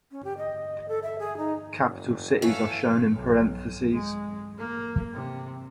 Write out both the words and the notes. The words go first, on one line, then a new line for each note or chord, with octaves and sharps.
Capital cities are shown in parentheses.
C#4
G4
D#5
A4
E5
G#4
D#4
F#1
E3 F#3 A4 C#5 E5 F5
B1
G#3
A#3
C3